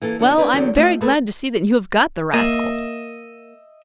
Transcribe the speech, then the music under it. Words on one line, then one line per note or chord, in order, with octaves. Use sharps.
Well, I'm very glad to see that you have got the rascal.
E3 A#3 A4
E2 C3 D4 F#4 G4 C#5
C4 D4 E4 A#4 B4
E2 D3 F#3 D4 E5 G5
A3 C4 F4 D#5 F5 F#5
A3 G#4 A4 B4 C5 E5
A#3 D#5 E5